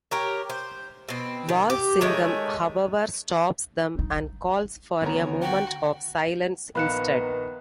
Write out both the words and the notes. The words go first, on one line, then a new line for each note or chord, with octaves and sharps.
Walsingham, however, stops them and calls for a moment of silence instead.
G4 A#4 C#5
C5
B2 C4
D#3
G4
D#3 G#3 A3 C#5
D#4
D2 D3 D#3 B3 C4 C#5 A#5
F#4 G5
A#1 D#3 B3 F5 B5 F#6 C#7 E7